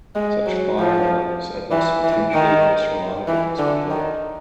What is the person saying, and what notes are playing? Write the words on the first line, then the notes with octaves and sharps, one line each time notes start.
Such firearms are thus potentially less reliable as a result.
G#3
F#3
F3
E3
E3
D#3
E3
D3
D#3